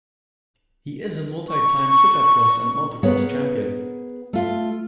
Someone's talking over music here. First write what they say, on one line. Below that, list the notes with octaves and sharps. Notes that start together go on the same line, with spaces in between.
He is a multi-time supercross and motocross champion.
C#6
B3 G#4 A#4 C#5 F#5
A3 F4